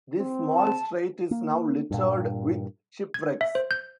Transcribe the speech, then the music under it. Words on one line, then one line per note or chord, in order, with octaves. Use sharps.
This small strait is now littered with shipwrecks.
C4
A5
A#3
G2 A#2
G#6
E5
C5
G6